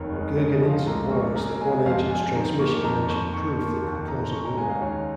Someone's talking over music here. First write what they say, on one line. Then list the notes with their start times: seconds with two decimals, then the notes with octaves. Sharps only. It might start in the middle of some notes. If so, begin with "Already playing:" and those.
Gurgenidze warns that one agent's transmission mentioned proof that could cause a war.
Already playing: F1 D#2 D#3 A#4 C#5
0.13 G#3
0.37 C#3 C#5
0.54 D#5
0.62 F3
0.70 F5
0.87 C#2 A#5
1.11 A#3 C#6
1.36 C#3 A#5
1.61 G#3 G#5
1.86 F2 F5
2.10 F2 G#5
2.35 D#3 A#5
2.59 A#3 C#6
2.84 F2 A#5
3.09 F2 C#6
3.34 D#3 C#6
3.59 A#3 C#6
3.83 D#2 C#6
4.08 D#2 A#5
4.32 C#3 C#6
4.45 A#5
4.57 G#3 G#5
4.70 F5
4.82 D#2 C#5